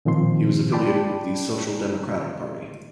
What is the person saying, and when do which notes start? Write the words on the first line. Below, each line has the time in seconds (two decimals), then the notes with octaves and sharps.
He was affiliated with the Social Democratic Party.
0.05 A#2 D#3 F3 C4 C6
0.72 D5 G5 A5 B5 C6 D6